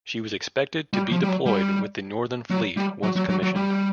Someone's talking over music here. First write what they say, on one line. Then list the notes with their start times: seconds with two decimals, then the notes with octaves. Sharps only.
She was expected to be deployed with the Northern Fleet once commissioned.
0.93 G3
1.11 F3
1.23 G3
1.28 F#3
1.46 G3
2.51 F#3
2.77 G3
3.03 F#3
3.16 F#3
3.29 F#3
3.42 F#3
3.56 G3